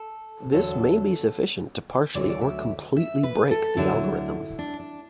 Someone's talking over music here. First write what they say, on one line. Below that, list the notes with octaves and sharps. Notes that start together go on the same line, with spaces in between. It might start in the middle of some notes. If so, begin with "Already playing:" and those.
This may be sufficient to partially or completely break the algorithm.
Already playing: A4
E2 D3 F#3 A4
D2 D3 F#3 D5
E5
D5
E5
E5
B4
A4
D2 D3 F#3 E4
D4
D4